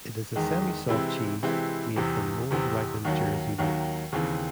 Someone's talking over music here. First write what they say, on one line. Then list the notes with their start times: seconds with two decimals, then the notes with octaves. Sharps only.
It is a semi-soft cheese, made from mould-ripened Jersey milk.
0.36 E2 D#3 G#3
0.89 C3 E3 G#3 C4 E4
1.43 C3 E3 G#3 C4 E4
1.96 E2 C3 E3 C4
2.51 E2 C3 E3 C4
3.05 D#2 D#3 F#3
3.58 D#2 D#3 F#3
4.12 D#2 C#3 E3 C4